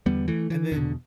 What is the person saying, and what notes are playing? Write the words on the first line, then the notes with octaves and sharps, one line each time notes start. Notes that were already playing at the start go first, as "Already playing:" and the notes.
And then
E2 D3 G3 B3
E3 A3
E3
E2 B2 D3